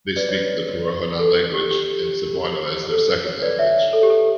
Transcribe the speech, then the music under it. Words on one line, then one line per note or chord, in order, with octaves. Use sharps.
They speak the Porohanon language, and Cebuano as their second language.
B4 D5
C#5
B4
A4
G4
G4
A4
C#5
B4 D5
C#5 E5
A4
G4
A4